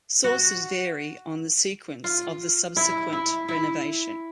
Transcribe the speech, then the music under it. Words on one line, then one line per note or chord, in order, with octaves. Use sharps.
Sources vary on the sequence of the subsequent renovation.
F#4
F4
E4
E4
E4